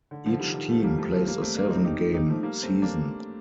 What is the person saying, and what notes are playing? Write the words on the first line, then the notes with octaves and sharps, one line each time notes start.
Each team plays a seven-game season.
D3
D3 F3
D#3 G3
D#3 G3
F3 A3
G3 A#3
F3 A3
F3 A3
G3 A#3
A3 C4
A#3 D4
C4 D#4
D#4 G4
D#4 G4
F3 A3
G3 A#3
A3 C4
A#3 D4